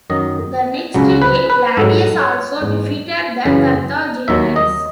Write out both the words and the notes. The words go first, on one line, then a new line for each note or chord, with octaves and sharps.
The next day Claudius also defeated the Carthaginians.
F#2 D#3 F#3 D#5
C#2 C#3 F#3
B4
B4
G#2 F#3 A4
C#5
G#2 E3
F#2 C#3 E3
D#2 D#3 F#3 E5
D#5